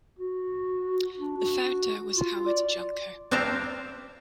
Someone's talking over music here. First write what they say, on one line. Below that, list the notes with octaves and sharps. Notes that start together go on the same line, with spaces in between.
The founder was Howard Junker.
F#4
D4
F#4
F4
D5
C4 D4 E4 C5 F5 A#5